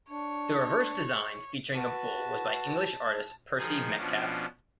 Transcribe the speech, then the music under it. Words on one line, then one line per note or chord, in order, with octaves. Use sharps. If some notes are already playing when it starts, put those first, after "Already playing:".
The reverse design featuring a bull was by English artist Percy Metcalfe.
D4 C#5
F#4 B4 A5
D#3 F3 D#4 G#4
B2 F3 C#4 D4